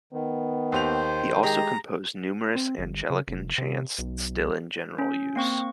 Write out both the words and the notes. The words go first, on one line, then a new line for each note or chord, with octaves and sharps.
He also composed numerous Anglican chants still in general use.
D#3 B3
D#2 G4 C5 F7
G#3 G4 G#4 A#5
C4
G1
C#3
F1
C3
B1
C#4
A#3 C4 C#6